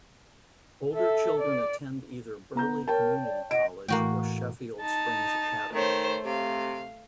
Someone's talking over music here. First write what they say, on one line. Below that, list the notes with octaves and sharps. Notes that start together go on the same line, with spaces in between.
Older children attend either Birley Community College or Sheffield Springs Academy.
A4 E5
D5
B3 A#5 G6
A#4 C#5 G5 A5
D5
D#5 F#5 D7
A2 E3 A3 A#3 F#4 G5
D#4 A5
D#3 A3 C5 C#5
C3 F5